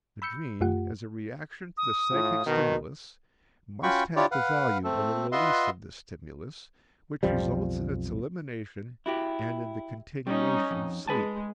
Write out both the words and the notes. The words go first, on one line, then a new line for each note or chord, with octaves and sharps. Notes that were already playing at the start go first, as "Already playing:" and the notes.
The dream, as a reaction to the psychic stimulus, must have the value of a release of this stimulus which results in its elimination and in the continuation of sleep.
B5 E6 G6 C#7
F#2 A3 F4 G4 F#5
D#6
A2 F4
B2 D#3
C#4 F4 F#4 G5 B5 C#6
D4 E4 F4 G4 C#5 D5
B4 F5 F#5
A3 C4 A4
F4 B4 D#5 E5 F#5 C6
B1 F2 F3 G3
E4 F#4 G4
G3 C#4 D#4
F2
G#3 B4 G#5 A5